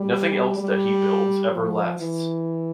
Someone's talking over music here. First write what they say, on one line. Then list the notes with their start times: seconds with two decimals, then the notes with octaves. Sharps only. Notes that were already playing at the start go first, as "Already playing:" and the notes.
Nothing else that he builds ever lasts.
Already playing: G3
0.58 G3
1.51 F3
1.98 E3